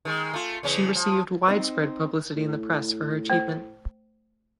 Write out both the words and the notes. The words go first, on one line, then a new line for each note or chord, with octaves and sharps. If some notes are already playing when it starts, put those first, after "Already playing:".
She received widespread publicity in the press for her achievement.
D#3 G#3
A3 F4
E2 C#3 C#4
F3
C4 D#4 C5
A2
A3 C5